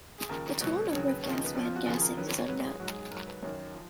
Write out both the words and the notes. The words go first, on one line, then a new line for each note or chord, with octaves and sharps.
The total number of gas van gassings is unknown.
G#4
D#2 C#3 F3 A#4
C#2 B2 F#3
D#2 C#3 F#3 C#5
B4
D#2 C#3 F3 C#5
D#4
B3
F2 F3 C#4
F4
F#4
D#2 C#3 F3 F#4
G#4
A#4
D#2 D#3 F#3 B4
C#5
C#5
G#2 F#3 B4
G#4
G#2 F#3 F#4
G#4
G#4
G#2 F#3 A#4
B4
F#2 D#3 F#3 C#5
F3